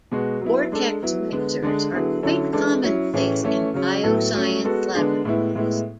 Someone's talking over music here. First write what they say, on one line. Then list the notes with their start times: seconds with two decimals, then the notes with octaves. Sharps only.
Vortex mixers are quite commonplace in bioscience laboratories.
0.12 B2 G#3 B3 F#4
0.41 F#3 B3 E4
0.72 G#3 D4 A4
1.02 F#3 B3 E4
1.32 D3 G#3 B3
1.63 D3 G#3 D4 G#4
1.92 D3 F#3 B3 E4 G#4
2.23 D3 F#3 C#4 E4 A4
2.53 E3 G#3 D4 A4
2.83 F#3 C#4 E4
3.14 A2 E3 A3 C#4 G#4
3.43 E3 A3 C#4 E4
3.74 C#3 F#3 C#4
4.04 A2 F#3 B3 E4 A4
4.33 F#3 A3 C#4
4.64 G#3 B3 F#4 A4
4.95 D3 G#3 B3 D4 G#4
5.25 A2 G#3 B3 E4
5.55 A2 G#3 B3 E4